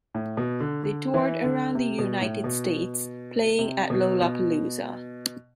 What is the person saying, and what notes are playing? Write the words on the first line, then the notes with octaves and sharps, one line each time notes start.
They toured around the United States, playing at Lollapalooza.
A2
B2
D3
D3
E3
D3
C3
B2
A2
B2
C3
B2
B2